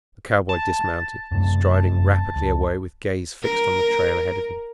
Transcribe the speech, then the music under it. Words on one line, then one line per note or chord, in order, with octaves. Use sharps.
The cowboy dismounted, striding rapidly away with gaze fixed on the trail ahead of him.
A5
F#2 C3 A3
C#2
A#4